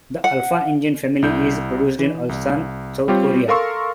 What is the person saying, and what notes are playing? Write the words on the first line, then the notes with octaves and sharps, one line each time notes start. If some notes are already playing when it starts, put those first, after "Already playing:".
The Alpha engine family is produced in Ulsan, South Korea.
F#5
C2 E4 G6
E3
C2
G3 C4 F4 G4 C#5
A4 A#4 F5 C6 C#6 E6